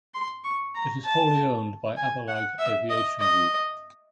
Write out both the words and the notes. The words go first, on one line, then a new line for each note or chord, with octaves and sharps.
It is wholly owned by Abelag Aviation Group.
C6
C#6
A#5
A5
G#5
F#5
E5
D#5
D#5